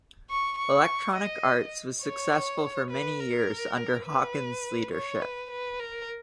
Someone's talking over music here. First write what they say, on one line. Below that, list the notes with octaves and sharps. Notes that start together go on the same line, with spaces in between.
Electronic Arts was successful for many years under Hawkins' leadership.
C#6
C#6
D#5
C#5
B4
A#4
B4
C#5
B4
B4
A#4